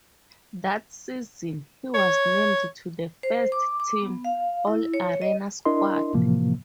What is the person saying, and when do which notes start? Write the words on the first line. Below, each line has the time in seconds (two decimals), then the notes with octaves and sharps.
That season, he was named to the First-team All-Arena squad.
1.95 C#5
3.23 C5
3.52 D6
3.80 D6
4.01 B3
4.25 F5
4.67 E4
4.94 C#5
5.22 D#5
5.65 D4 E4 A#4 D#5 C6
6.14 A2 C3 E3 F3 A#3